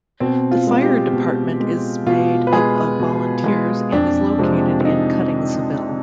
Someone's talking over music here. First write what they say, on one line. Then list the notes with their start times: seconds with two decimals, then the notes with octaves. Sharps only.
The fire department is made up of volunteers and is located in Cuttingsville.
0.20 B2 C4
0.51 F4
0.67 G#3
0.82 G4
1.13 B2
1.60 G#3
2.06 B2 F4
2.47 B4
2.53 G#3 G#4
2.99 B2
3.46 G#3
3.92 F2 D4
4.38 C3 F3 G#3
4.85 D#4